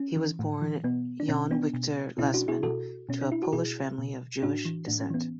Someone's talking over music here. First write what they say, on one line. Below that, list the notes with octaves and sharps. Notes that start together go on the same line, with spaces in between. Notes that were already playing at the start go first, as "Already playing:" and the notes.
He was born Jan Wiktor Lesman to a Polish family of Jewish descent.
Already playing: C#4
E3
A2
E3
B2 B3
D4
B2 C#4
B3 D4
B2
B2 C#4 E4
D4 F#4
E4 G#4
B2 F#4 A4
B2 C#4
D4
E4
F#4
B2 E4 G#4
B2
A2 D4 F#4
E3
A2 D4
C#4
E3 B3